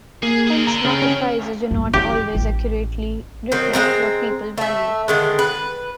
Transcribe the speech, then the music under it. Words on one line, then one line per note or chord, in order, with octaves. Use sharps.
Hence market prices do not always accurately reflect what people value.
A#3 G#4
G#4 A#4
D3 A#5
C#3 A#4 G5
C#4
A#1 G2
E4 G4
D#3
A1
D#3 F#3 C4
G#3 A#3 C4 A#5
A3 E5
D3 D#3 G#3
B4